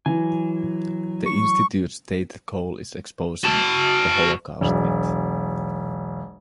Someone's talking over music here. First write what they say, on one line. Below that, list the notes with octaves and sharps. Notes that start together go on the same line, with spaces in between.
The Institute's stated goal is exposing "the Holocaust myth".
E3 F#3 G#5
C#6
F#4 A5
E1 B1